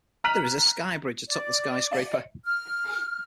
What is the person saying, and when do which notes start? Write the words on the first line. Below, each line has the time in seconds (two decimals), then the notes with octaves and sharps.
There is a skybridge atop the skyscraper.
0.24 A#5 F6 F#6 B6 D#7 F#7
1.28 D5
2.45 F6